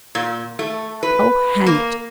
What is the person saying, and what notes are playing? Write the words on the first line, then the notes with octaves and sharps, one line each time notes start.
Oh, hang it!
A#2
A3
B4
A#3